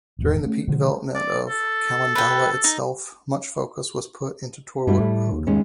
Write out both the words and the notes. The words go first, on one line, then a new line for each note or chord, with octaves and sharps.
During the peak development of Khandallah itself, much focus was put into Torwood Road.
D#1 E2 G#2
A3 B3 C#4
B2 D3 F3 G#3
D5
A4
B4 G5
D#4
G2 G3 A3 E4
A2
D#2
D#3 G#3 C#4